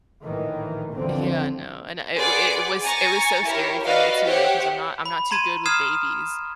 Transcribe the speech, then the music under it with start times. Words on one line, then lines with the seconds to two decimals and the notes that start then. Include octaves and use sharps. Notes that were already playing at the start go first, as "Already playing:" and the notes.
Yeah, no, and it it was it was so scary for me too though, 'cause I'm not I'm not too good with babies.
0.22 A#1 A2 D#3 E3
0.93 C2 F2 D3 E3 F3 C4
2.16 G#4 B4 D5 F#5 C6 D6
2.83 G#5 A#5 C#6 A6
3.43 E4 G4 A#4 C#5
3.84 F#4 B4 D5 D#5 F5
4.24 G4 C5 C#5 E5 F#5
5.06 B5
5.31 A#5 C6 G#6 D#7
5.66 D#6 F6 G#6 C7 E7